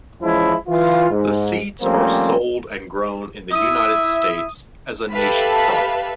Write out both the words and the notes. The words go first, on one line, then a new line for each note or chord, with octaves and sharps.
The seeds are sold and grown in the United States as a niche crop.
E3 F3 G#3 C#4 E4
E3 F4
G#2
F3 G3 A3 A#3 C4 C#4
E4 E5 D#6 D#7
G4 A4 B4 E5 F5 B5